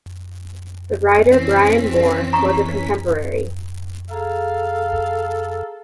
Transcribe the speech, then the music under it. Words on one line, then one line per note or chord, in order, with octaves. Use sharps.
The writer Brian Moore was a contemporary.
E3 C4 C#4 B6
A#5 C#6
G#4 A4 F5 A#5